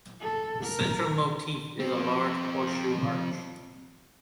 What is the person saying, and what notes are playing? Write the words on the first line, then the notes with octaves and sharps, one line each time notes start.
The central motif is a large horseshoe arch.
A4
A#4
F3 C4